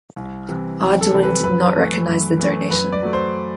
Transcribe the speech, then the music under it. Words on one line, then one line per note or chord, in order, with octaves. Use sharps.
Arduin did not recognise the donation.
C2
C3 E3
C2
A4
C3 E3
B4
F#2 B4
E3 A3
F#2
E3 A3
F#2 B4
D5
F#3 A3
C5